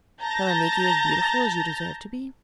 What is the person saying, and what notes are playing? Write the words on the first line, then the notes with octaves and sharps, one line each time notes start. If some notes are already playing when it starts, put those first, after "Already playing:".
Shall I make you as beautiful as you deserve to be?'
A5 A#5 G6 A6 A#6